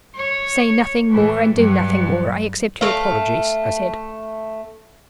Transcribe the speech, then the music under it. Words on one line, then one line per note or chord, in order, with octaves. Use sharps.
"Say nothing more, and do nothing more; I accept your apologies," I said.
C#5
A2 E3
G2 F#3
A3 F5